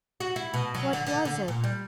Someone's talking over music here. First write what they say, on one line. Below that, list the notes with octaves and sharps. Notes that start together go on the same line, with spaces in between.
What was it?
F#4
E4
B2
F#3
D3
D3
D3
A#2
G3